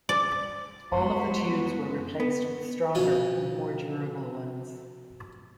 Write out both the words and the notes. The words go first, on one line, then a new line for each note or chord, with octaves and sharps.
All of the tubes were replaced with stronger and more durable ones.
D5
F#2 G#3 B3 E4 F#4 B4 C6
B3
B2 F3 C#4 F4 G#5